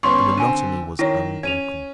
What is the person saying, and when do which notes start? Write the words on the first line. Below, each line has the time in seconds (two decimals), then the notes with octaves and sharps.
The monotony was unbroken.
0.03 G#1 B3 C#4 B4 C6 C#6
0.37 D3 C4 G#5 D#7
0.99 D#3 E4 C#5 A#6
1.43 C#4 G#6 D#7 F7